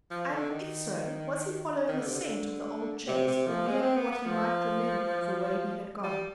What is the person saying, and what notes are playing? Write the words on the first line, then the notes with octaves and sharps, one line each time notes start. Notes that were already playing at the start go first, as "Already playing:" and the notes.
And, if so, was he following the scent of the old chase or merely what he might remember of the way he had gone?
F3
D3
D#3
D#3
D3
C3
D3
C3
C3
F3
G#3
C4
B3
B3
F3
G3